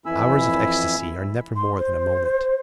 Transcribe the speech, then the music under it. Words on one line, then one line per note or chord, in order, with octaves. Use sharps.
Hours of ecstasy are never more than a moment.
F2 E3 E4 G#5 B5 E6
C6
C5